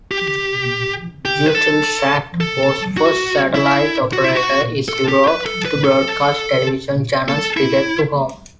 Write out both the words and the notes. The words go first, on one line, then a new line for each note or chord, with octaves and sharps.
Eutelsat was the first satellite operator in Europe to broadcast television channels direct-to-home.
G4
G4
B4
A4
A4
F#4
E4
F#4
E4
F#4
A4
G4
B4
A4
B4
A4
A4
E4